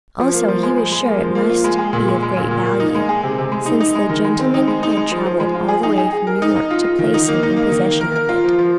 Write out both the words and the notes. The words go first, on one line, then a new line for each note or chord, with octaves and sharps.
Also he was sure it must be of great value, since the gentleman had travelled all the way from New York to place him in possession of it.
F3
A#3
F3
G#3
G#3
G#3
A#3
F3
A#3
F4
G#3
G#4
A#2
G#3
G#3
A#2
A#2
A#3
D#4
G#3
G#4
C3
C3
G#3
D#4
D#4
G#3
D#3
G#3
C4
D#4
G#3
D#4
G#3
F3
F3
G#3
F4
G#4
D#4
G#4
G#4
A#4
D#4
D#4
F4
F4
D#3
D#4
A#3
D#4
A#3
D#3
A#3
A#4
A#4
F4
F3
F3